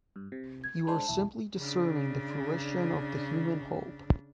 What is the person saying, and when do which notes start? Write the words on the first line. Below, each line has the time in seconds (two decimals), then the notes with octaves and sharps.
You are simply discerning the fruition of the human hope.
0.16 G2
0.32 C3
0.64 G#6
0.87 G#3 D4 C5 A5
1.08 B1 E2 E4
1.59 C#3 D4